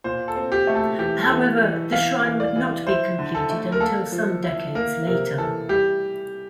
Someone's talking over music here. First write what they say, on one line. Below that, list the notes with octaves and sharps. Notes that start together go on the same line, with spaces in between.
However, the shrine would not be completed until some decades later.
A#2 C5
A4
C4
G4
A3
A4
E3 G4
A4
E3
E3
E3 F5
E3
D5
E3
E4 C5
D3
A4
A3
A#4
A#3 A4
F3
E4
A#3 A#4
C3 A#4
E3 A4
G3 G4